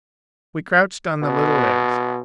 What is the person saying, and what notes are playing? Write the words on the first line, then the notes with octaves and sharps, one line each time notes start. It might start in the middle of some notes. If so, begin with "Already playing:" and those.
We crouched on the little ledge.
B2